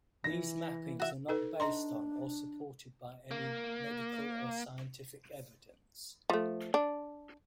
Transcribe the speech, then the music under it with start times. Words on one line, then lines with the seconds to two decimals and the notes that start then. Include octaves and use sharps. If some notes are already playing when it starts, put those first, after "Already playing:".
These mappings are not based on or supported by any medical or scientific evidence.
0.24 E3 A#6
1.00 F#4 E5
1.29 D#4 A4 B4
1.60 D4 D#5 A#5 C6
3.31 A#3
6.30 F3 A3
6.74 D4